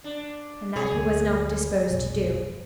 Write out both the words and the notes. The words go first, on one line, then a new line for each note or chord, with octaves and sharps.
And that he was not disposed to do.
D4
C3 G#4 C#5
D2 G2
F1 B1 G2